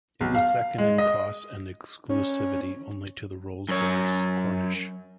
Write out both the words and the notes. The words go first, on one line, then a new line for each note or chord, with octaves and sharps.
It was second in cost and exclusivity only to the Rolls-Royce Corniche.
B1
F5
G#3
D#5
C#4
F#2 C#5